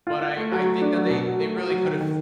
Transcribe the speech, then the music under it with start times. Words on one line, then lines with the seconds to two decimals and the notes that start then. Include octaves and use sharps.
But I I think that they they really could've
0.07 F4
0.21 F4
0.37 A3
0.52 F#3
0.66 A3
0.82 D4
0.97 F#3
1.10 B2
1.26 F#3
1.40 A3
1.56 F#3
1.70 F#3
1.85 D#3
2.01 D#3